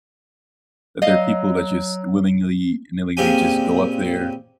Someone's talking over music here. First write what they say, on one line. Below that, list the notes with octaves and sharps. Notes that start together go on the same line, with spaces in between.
that there are people that just willingly-nilly would just go up there,
F#3 D#5 F5
A#2 C#3 C4 G4 G#5